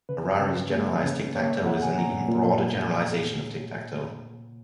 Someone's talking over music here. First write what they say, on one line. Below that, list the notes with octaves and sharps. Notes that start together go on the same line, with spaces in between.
Harary's generalized tic-tac-toe is an even broader generalization of tic tac toe.
C#3 B4
C#3
A#3
C#3
A#3 C#5
E5
A#2 F#5
F#5
G#5
A#2 A#5
A#2